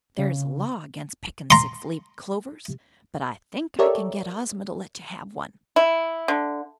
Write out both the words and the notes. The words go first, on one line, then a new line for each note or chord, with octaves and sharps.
"There is a Law against picking six-leaved clovers, but I think I can get Ozma to let you have one."
C#3
A#5 C6
G4 A4 A#4 C#5 D5 E5
E4
D3